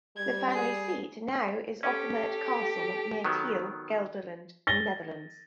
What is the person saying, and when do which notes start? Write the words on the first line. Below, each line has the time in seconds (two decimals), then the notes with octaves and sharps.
The family seat now is Ophemert Castle, near Tiel, Gelderland, in Netherlands.
0.16 G3 G#6
0.50 G#4 C7
1.83 C#4 G4 A4
3.24 D#3 F#3 B3
4.67 A6 A#6 G7